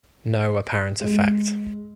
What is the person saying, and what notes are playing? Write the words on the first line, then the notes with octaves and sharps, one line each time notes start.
No apparent effect.
G#3